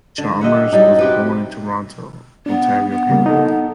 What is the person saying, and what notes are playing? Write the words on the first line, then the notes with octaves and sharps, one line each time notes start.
Chalmers was born in Toronto, Ontario, Canada.
D3
G4 D#5 E5 F#5
F#3 G3 D#4
C3 G4 B4
B3 D4
B3
C#3 G3 A#3
D#4 A4